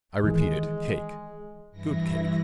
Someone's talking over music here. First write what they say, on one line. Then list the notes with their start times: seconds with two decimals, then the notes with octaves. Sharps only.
I repeat it, cake--good cake.
0.24 D#3 E3 G#3
1.71 G2 E3 E4 A#6